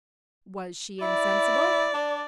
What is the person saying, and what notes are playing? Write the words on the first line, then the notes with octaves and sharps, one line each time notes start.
"Was she insensible?"
E4 D5
D4